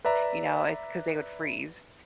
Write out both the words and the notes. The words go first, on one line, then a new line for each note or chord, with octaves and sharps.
you know? It's 'cause they would freeze,
B4 D5 E5 A#5